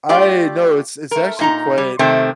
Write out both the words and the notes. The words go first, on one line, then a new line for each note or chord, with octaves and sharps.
I no, it's it's actually quite
A3 F4 G4 D5
A3 A#4
A#2 D#4 A#5
G3
C3 D#3 A3 C4